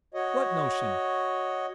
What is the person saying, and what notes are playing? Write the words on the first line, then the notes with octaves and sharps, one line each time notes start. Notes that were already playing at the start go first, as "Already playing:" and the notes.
"What notion?"
F#4 C#5 D#5